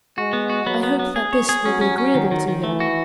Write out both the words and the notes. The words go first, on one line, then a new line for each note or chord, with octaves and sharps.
I hope that this will be agreeable to him.
G#3 F#4
B3
F#4
F#3 B3
B3
B3
G#4
C#5
G#4
F#3 C#4
C#4
C#4
D#3
D#3
D#3
E3 A3
F#4